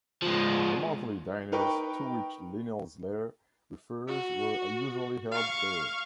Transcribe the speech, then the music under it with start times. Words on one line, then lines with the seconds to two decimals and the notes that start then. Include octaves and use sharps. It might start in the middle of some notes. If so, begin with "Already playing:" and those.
The monthly dinners to which Linnell's letter refers were usually held there.
0.22 F3 G#3
1.52 D#4 A#4 B4 G5 C#6
4.07 F#4
5.32 F5 C#6